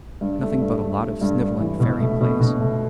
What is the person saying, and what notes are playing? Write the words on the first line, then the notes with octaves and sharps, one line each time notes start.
Nothing but a lot of snivelling fairy plays.
G2
A3
G2
A3
A3
G2
G2
E3
B2
A3
B2
B2
A3